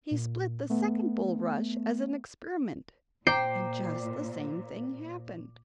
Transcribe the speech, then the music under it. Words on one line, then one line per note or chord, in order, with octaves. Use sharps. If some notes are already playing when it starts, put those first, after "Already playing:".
He split the second bulrush as an experiment and just the same thing happened.
A#2
A3 B3
A#2 C5 G5 A#5 D6 C7